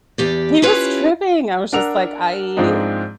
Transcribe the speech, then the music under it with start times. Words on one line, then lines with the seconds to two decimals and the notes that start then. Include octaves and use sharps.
he was tripping, I was just like, "I"
0.18 E2 G4 D5
0.62 C#4 E4 F4 G4 B4 C#5
1.73 D4 A#4 F#5 E6 F7
2.57 G#2 F3 G#3 C4 D4 D#4